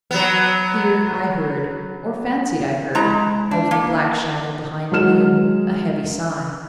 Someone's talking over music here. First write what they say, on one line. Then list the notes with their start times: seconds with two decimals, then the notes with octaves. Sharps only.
Here I heard--or fancied I heard--out of the black shadow behind the loom, a heavy sigh.
0.11 F#3 B3
2.95 G#3 E4 A#5
3.51 D4
3.71 A#3
4.91 F#3 G#3 G#4 F6 E7